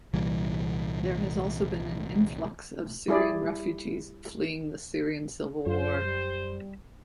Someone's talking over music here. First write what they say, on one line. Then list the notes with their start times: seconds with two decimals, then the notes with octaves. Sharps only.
There has also been an influx of Syrian refugees fleeing the Syrian Civil War.
0.14 C2 A#2 E3 G3
3.08 G3 E4 G#4 D5
5.67 F#2 F4 C5
6.04 G3